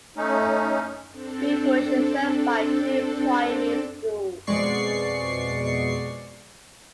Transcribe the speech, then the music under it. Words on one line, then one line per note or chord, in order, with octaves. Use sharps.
Bewbush is served by two Primary schools.
A3 C#4 D#4
C4 D4 A4
F2 B2 G#3 D5 C#6 C7